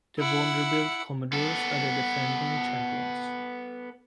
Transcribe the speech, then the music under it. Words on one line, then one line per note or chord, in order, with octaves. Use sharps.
The Vanderbilt Commodores are the defending champions.
E4 F#5
B3 A4